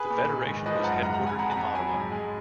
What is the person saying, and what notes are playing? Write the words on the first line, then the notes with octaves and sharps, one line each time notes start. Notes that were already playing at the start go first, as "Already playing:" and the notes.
The Federation was headquartered in Ottawa.
Already playing: G#4 B4
A#2
D#3
G#2
F3 B4 D#5
F#2 F#5 A#5
G#2 F#5 A#5
F#5 A#5
G#3
G#5 B5
F2 F#5 A#5
F#5 A#5
F2
F#3 G#5 B5
G#2
G#3